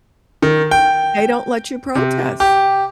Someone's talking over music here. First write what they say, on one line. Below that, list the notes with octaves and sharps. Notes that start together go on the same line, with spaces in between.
They don't let you protest.
D#3
G5
C3
G4